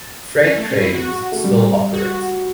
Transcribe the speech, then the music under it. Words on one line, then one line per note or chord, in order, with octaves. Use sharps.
Freight trains still operate.
C#4
A3
C#4
E4
F#4
A3
G3
F#4